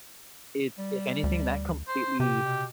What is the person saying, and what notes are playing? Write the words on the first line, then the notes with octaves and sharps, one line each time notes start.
it if anything, that completely
G3
D2
C5
C3 G4
B2